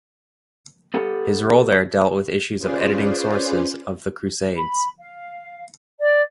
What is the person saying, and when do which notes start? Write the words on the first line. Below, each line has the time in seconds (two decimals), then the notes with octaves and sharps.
His role there dealt with issues of editing sources of the Crusades.
0.94 B3 G4 A4 F#5
2.58 C#4 F4 G#4 B4 C5 D5
4.56 B5
5.00 F5
6.00 D5